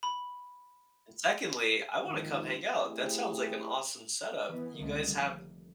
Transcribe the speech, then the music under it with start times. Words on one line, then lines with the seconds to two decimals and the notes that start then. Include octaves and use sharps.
And secondly, I wanna come hang out, that sounds like an awesome setup. You guys have
0.03 B5
2.05 G#1 F2 A#2 D#3
2.81 A3 C4 E4 G4 G#4
4.48 E3 B3
4.78 C#2 D3 D#3 G3 A3 A#3
5.17 F1